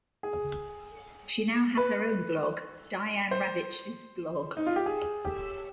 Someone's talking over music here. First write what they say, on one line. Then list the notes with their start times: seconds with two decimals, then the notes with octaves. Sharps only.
She now has her own blog, Diane Ravitch's Blog.
0.23 G#4
1.77 B4
3.31 C5
4.57 D#4
4.66 F4
4.76 G4
4.86 G#4
5.25 G4